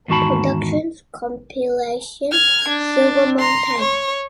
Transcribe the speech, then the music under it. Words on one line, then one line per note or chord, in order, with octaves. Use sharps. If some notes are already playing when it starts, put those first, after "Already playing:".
Productions compilation "Silver Monk Time".
E2 G#2 D#3 F#4 A5 B5
F6 G#6
D4
A#5 C6
C#5